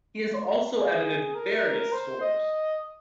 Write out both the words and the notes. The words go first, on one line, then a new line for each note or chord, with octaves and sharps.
He has also edited various scores.
G#4
A#4
C5
D#5